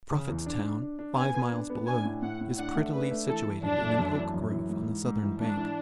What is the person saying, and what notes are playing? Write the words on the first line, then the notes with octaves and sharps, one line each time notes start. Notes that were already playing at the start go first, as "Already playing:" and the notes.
Prophetstown, five miles below, is prettily situated in an oak grove on the southern bank.
C#3
E2
D4
D4
D4
D4
B3 G#5
B3
D4
B3
D4 G#5
A2
A2 F#5
A2
D4 F#5
A3
D4 B4
A3
E3 A4
E3
F#2 D4
A3
F#2
E3
F#2
E3
G#2
G#2
G#2
E3
G#2 D4
E3